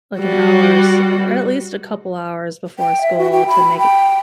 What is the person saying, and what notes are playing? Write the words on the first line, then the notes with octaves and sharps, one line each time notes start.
like an hour or s or at least a couple hours before school to make it
G3 F#4
G5
E5
F#4
G5
B5
G5